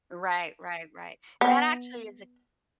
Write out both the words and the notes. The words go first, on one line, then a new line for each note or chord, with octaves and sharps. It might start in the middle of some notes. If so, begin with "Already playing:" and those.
Right, right, right. That actually is a
B3